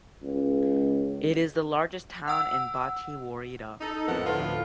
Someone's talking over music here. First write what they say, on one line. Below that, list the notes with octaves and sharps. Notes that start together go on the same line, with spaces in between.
It is the largest town in Bati woreda.
C#2
F#5 E6
D#4 A4
F2 A2 B3 A4 A#4 F#5
D2 A2 F3 F4 B4